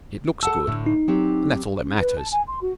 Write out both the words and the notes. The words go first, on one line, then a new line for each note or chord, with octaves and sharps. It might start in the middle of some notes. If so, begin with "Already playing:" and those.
It looks good, and that's all that matters.
A4 F#5 A5 E6
A2 D3
D#4
F#3 C4 G4
C#4
B4
A5
G#5
C6
F#4